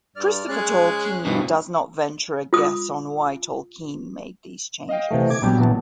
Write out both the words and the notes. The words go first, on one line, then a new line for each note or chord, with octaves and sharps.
Christopher Tolkien does not venture a guess on why Tolkien made these changes.
G2 D5 F6
G#3 C#4 F#6
G2 B2 E3 F3
F4 D#6
D#5 F5 G5
C3 E3 A3
D6 G#6
A#1 F#3 G3 B3 G5
A#1 E3 A5